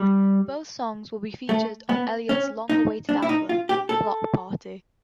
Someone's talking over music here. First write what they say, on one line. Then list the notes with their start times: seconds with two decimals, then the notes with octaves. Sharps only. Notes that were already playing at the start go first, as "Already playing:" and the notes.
Both songs will be featured on Elliott's long-awaited album, "Block Party".
Already playing: G3
1.49 A3
1.89 B3
2.29 C#4
2.70 D#4
3.09 D4
3.22 E4
3.29 D#4
3.49 F4
3.69 G4
3.89 A4